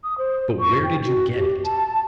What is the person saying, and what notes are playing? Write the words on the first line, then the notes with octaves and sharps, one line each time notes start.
"But where did you get it?"
D#6
C5
C#6
G5
F#4
G4
A5